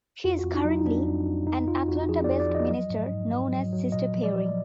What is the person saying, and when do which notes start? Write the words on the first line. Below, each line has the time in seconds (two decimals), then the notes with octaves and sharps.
She is currently an Atlanta-based minister, known as "Sister Perri".
0.24 F2 F4
0.39 F#4
0.44 F2
0.54 D#4
0.65 F#3 D#4
0.85 F2 D4
1.06 F2
1.26 F2
1.47 F2 D#4
1.68 F2 F4
1.88 F2 F#4
2.09 F3 G#4
2.24 F2 D5
2.40 D5
2.50 F3 D#5
2.70 F#3
2.90 G#2
3.11 G#2
3.32 G#2
3.51 F#3
3.73 F#3
3.92 A#2 D#5
4.14 F3
4.23 D5
4.34 F3